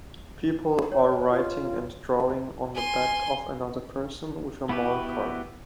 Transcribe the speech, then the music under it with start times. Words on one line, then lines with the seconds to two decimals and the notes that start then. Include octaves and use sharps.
People are writing and drawing on the back of another person with a marker.
0.92 C#5 G5
1.30 F4
2.75 G#5 C6
4.69 B3 E4 F#4 G4 B4